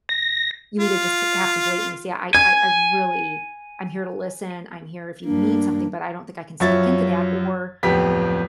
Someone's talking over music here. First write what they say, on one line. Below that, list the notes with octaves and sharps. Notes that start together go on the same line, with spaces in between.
you either just t have to blatantly say, "I I I really I'm here to listen, I'm here if you need something, but I don't think I can speak into that," or,
A#6
F4
G#5 G#6
G2 A#3 D4
F#2 F3 C#5 E5 A6
D1 F2 B3 G4 B6